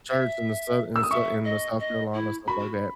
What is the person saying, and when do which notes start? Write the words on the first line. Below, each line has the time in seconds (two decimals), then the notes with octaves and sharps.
church in the Sou in the Sou in the South Carolina, stuff like that,
0.09 E5
0.96 E6
1.03 D#6
1.11 E5 C#6
1.45 D#5
1.80 D#5
2.14 E4
2.47 F#4 B5